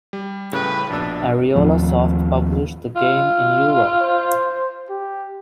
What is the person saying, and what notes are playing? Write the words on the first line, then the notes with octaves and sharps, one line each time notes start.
Ariolasoft published the game in Europe.
G3
A2 C#3 G3 B4
A#1 B2 D4 E6
D#2 A2 F3 C4
F4
C5
G4